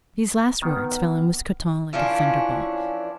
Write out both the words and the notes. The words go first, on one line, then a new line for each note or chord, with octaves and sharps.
These last words fell on Mousqueton like a thunderbolt.
D#3 B3
E3 F3 C#4 D4